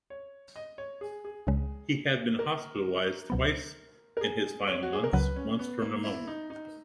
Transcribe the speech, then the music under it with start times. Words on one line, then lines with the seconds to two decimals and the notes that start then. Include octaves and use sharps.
He had been hospitalized twice in his final months, once for pneumonia.
0.10 C#5
0.56 D#5
0.78 C#5
1.01 G#4
1.25 G#4
1.47 C#2 C#3 G#3
2.39 A#4
3.30 C#2 B2 F#3 B3
4.17 A#4
4.21 G#4
4.68 C#5
4.83 F#4
4.93 G#4
5.04 A#4
5.13 C#2 C#3 F#3 B4
5.36 C#4
5.59 B3
5.82 A#3
6.04 E4
6.27 D#4
6.50 D#4